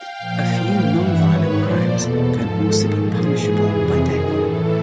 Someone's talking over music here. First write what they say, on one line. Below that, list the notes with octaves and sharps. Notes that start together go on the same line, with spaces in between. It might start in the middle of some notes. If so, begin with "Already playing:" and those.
A few non-violent crimes can also be punishable by death.
Already playing: F5 G5
A#2 F3
A2 E3
G2 E3 E5 F#5
G#2 D#3 B4 C#5
A#2 F3 C5 D5
E2 B2 A4
G#2 F3 A4
G#2 D#3 A4
A#2 F3 G#4
G#2 E3
F2 C3 E3
F#2 D#3
A2 E3 A4